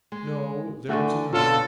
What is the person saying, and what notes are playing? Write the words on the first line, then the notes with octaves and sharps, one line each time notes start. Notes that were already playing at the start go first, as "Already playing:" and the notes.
'No there was another.
G#3
D3 E3 A3 F#4
B2 D3 C#4 F4 A4